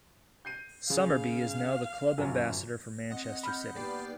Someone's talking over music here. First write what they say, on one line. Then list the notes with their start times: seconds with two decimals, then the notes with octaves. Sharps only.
Summerbee is now the Club Ambassador for Manchester City.
0.45 G6 C7 D#7
0.90 C#3 F5
2.18 G1 F#2
3.10 C4 D#5 F#5
3.43 B5 F6 G6
3.75 G3 A#3 B3 D#4 D5 G5 C7